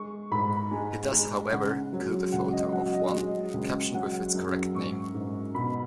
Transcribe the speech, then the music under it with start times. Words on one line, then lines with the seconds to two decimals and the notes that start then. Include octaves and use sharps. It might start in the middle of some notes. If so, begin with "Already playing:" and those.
He does, however, include a photo of one, captioned with its correct name.
Already playing: G#3 C#6
0.31 G#2 B5
0.71 G#3 G#5
1.12 G#3
1.52 C#3 F#5
1.92 F#3
2.32 C#2 F#5
2.53 D#5
2.73 F#3 F#5
2.93 D#5
3.14 G#3
3.53 C#2
3.94 F#3 F#5
4.34 F#2
4.75 G#2 C#6
5.14 G#2
5.55 B2 B5